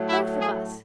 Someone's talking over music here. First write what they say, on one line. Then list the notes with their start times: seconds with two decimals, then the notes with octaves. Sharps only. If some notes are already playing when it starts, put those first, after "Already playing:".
"Both of us!"
Already playing: A2 F#3 A3
0.08 E4
0.39 G#4